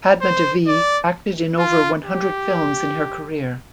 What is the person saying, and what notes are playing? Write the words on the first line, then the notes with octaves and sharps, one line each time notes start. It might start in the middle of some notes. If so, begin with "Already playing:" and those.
Padma Devi acted in over one hundred films in her career.
C5
D5
F4
G4